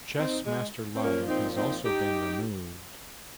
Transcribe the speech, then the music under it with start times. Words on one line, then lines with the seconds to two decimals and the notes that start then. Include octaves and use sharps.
"Chessmaster Live" has also been removed.
0.18 C4 D#4
0.45 G#3
0.95 C4
1.01 A#2 F3 A#3 C#4
1.28 C4 D#4
1.55 C4 D#4
1.84 D#4 G4